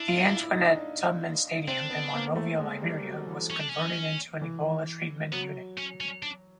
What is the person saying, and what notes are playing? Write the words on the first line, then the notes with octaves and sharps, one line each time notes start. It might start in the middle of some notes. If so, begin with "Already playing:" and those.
The Antoinette Tubman Stadium in Monrovia, Liberia was converted into an Ebola treatment unit.
Already playing: D4 E4
F4
E4
E4
D#4
D4
C4 D4
B3
A#3
A3
G#3
G3
F#3
E3
C#4
D4
C#4
E3
F#3 B3
C#4
C#4
D4